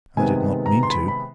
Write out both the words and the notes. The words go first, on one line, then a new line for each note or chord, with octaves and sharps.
I did not mean to.
C3 D#3 G#3 B3 G#5
A#5
C6
B5
B5